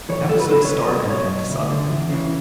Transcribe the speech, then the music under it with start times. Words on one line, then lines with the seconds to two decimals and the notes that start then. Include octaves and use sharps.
Episodes start and end suddenly.
0.09 A2 E3 C#5
0.28 F#2 A4
0.40 B4
0.49 D3 A4
0.63 C#5
0.69 B1 B4
0.89 B2
1.09 B1 C#5
1.29 B2
1.49 D2
1.70 D3
1.89 E2
2.10 C#3 E3